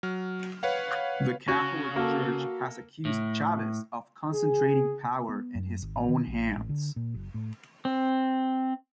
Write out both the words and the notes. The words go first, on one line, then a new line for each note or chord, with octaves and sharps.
The Catholic Church has accused Chavez of concentrating power in his own hands.
F#3 F6
B4 C#5 F5 F#5
C#3 C#4 F#4
A#3 F#4 A4
A2
G#4
B3
F#2
G#1
A1
D#3
A#1
A1
D3
A#2
F#1
A2
C4